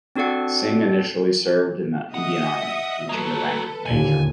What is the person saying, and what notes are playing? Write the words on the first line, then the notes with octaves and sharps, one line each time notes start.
Singh initially served in the Indian Army, reaching the rank of Major.
C4 D4 F#4 A4 D5 F#5
D#5 E5 F#5 D#6
A#3 F#4 A4 B4
D#2 A#2 D3 G#5